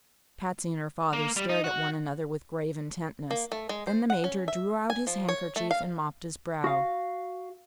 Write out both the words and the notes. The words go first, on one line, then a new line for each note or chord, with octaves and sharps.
Patsy and her father stared at one another with grave intentness. Then the Major drew out his handkerchief and mopped his brow.
A#3
G3
D#4
F#4
A#3
A3
G#3
C5
F#5
C#4
E5
G#5
F3
C#5
A3
F5
F#4 F5